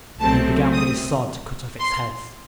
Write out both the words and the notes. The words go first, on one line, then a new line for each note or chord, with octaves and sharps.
Then he began with his sword to cut off its heads.
C2 C3 F#3 A3 C4 A5
D#6
C6